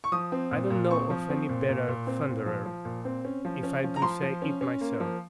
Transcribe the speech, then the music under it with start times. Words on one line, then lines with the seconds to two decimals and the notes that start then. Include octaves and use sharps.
"I don't know of any better thunderer if I do say it myself."
0.04 C#6
0.12 F3 D#6
0.32 C4
0.51 A#2
0.70 A#2
0.90 C4 C#6
1.10 F3
1.30 C4
1.49 A#2
1.68 A#2
1.88 A#2
2.07 C4
2.28 A#2
2.46 F3
2.65 F3
2.85 A#2
3.05 C4
3.25 C#4
3.45 F3
3.63 C#4
3.83 F3
3.96 A#5
4.02 F3 C6
4.22 F3
4.42 C#4
4.61 C#4
4.81 A#3
5.00 F3